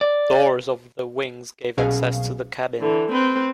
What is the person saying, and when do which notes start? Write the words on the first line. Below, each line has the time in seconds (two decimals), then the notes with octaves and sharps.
Doors over the wings gave access to the cabin.
0.01 D5
1.77 C2 B2 F#3 C#4 G#4 F5
2.80 D3 E3
3.12 C4 B4